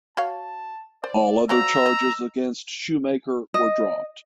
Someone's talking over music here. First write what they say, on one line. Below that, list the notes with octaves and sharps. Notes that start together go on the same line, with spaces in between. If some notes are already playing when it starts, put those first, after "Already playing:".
All other charges against Sheumaker were dropped.
F#4 C#5 F5 A5
C5 D5
F3 F#4 D5 A#5 E6
D#5
D#5